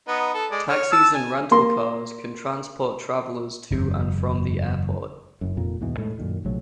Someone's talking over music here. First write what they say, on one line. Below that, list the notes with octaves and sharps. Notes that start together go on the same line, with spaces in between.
Taxis and rental cars can transport travelers to and from the airport.
B3 D#4
A4
G#3 D5
C#5 F6
A5 E6
G#5
A#3 C6
F#1 E2 G#2
F#1 F#2
F1 F2 A#2 A#3
D#2 G#2 B2 E3
A2 G#3 A3
F#2 A#2 D#3
A#1 C3 F#3 A3